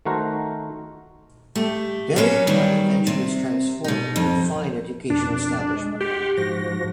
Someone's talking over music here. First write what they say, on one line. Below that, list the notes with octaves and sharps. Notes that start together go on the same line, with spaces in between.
Barry High eventually is transformed into a fine educational establishment.
D#3 A3 F#4 A#4 C5
A3 G4
F#3 A#3 C#4 B4
D#3 F#3 G3
C3
B2 D#4
F2
F2 B2 D4
G#3
G4 F#5 C6
G#2 F3 F#4 A#6